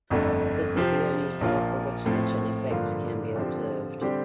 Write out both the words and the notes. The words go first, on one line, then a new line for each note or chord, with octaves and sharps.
This is the only star for which such an effect can be observed.
G1 F2 D3 A3
C3 F3 C4 G4
A#1 A#2 F3 A#3 F4
A2 F3 A3 C4
G2 D3 F3 A#3 F4
D3 F3 C4 G4
D3 G3 C4 G4